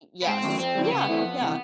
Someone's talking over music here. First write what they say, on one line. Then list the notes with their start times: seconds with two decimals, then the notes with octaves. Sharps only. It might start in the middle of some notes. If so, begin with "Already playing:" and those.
Y yes, yeah, yeah.
0.22 B3
0.27 G#2 C4
0.43 D#3 F#3 A3 C#4
0.59 F2 C4
0.75 C3 E3 G3
0.85 C4
0.92 C#3 B3
1.08 E3 A3 C4 E4
1.25 F2
1.41 C3 E3